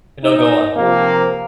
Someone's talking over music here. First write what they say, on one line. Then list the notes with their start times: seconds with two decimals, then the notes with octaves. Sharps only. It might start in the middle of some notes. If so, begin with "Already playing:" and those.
No, go on.
0.24 D#4
0.77 C3 F3 A#3